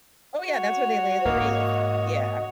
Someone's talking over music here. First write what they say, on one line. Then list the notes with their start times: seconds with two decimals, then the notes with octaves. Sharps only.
oh, yeah, that's where they lay the wreath. Yeah.
0.44 F#4 C#5
1.25 G#2 A#3 D#5